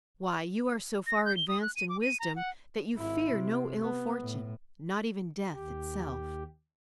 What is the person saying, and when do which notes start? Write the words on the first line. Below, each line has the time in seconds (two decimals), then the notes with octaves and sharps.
Why, you are so far advanced in wisdom that you fear no ill-fortune, not even death itself.
1.07 A#6
1.25 G6
1.36 G7
1.48 D#6
1.62 F#6
1.76 D#7
1.89 D6
2.02 D#7
2.20 A#5
2.36 F#5
2.95 G#1 E4
3.31 C3
3.81 B3
4.20 A2
5.53 D#2 G4